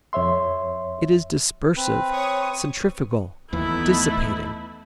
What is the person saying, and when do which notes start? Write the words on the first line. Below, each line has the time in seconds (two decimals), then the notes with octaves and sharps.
It is dispersive, centrifugal, dissipating.
0.13 F2 C#5 E5 C6
1.77 C4 B4
2.12 C#5 C#6 D#6
3.53 D#2 E3 A3 B3 D#4 E4